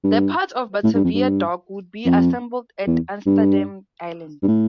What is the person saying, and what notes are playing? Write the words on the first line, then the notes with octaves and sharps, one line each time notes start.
The parts of "Batavia Dock" would be assembled at Amsterdam Island.
G2
A2
G2
F2
G2
F2
E2
G2
G2
A2